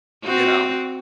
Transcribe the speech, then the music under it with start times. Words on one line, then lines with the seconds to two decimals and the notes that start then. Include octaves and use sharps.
you know?"
0.24 C4 F#4